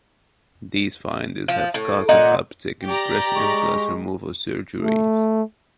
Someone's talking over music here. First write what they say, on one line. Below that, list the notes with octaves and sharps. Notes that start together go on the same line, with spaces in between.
These findings have caused an uptick in breast implant removal surgeries.
F3
A2
A#2 D#4 F#5
G4 D5 A#5
G#3 C#6
A3